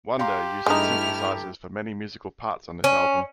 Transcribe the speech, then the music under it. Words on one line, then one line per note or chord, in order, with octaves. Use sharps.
Wonder used synthesizers for many musical parts on this album.
G4 F5 A#5 C6
G2 G#3 A3 D#4 E4 A#5 F6
C#4